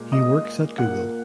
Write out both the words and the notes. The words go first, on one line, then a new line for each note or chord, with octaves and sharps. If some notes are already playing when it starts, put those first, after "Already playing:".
He works at Google.
Already playing: A#2 G#3
D#5 D#6
A#2 A#3 F#5 F#6